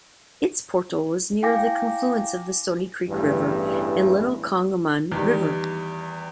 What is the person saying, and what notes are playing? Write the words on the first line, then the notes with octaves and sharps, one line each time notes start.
Its portal was near the confluence of the Stonycreek River and Little Conemaugh River.
E4 F5 G5 G#5 D6 A#6
A1 E2 G2 E3
E2 D#3 G3